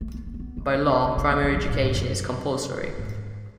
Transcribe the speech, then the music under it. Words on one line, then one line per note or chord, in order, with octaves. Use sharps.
By law, primary education is compulsory.
A3
B3
B3
A3
B3
G#3
C#4
C#4
B3
C#4
B3
F#3
F#3
A2
G#2
F#2
G#2